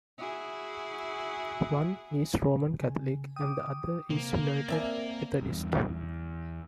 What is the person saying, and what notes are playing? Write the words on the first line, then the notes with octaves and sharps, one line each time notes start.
One is Roman Catholic and the other is United Methodist.
E4 F#4 G#4
C#3 G#5
G5 D6 D#6
C3 A#3
C4 A#4 D5 E5 G#5
E2 G2
E2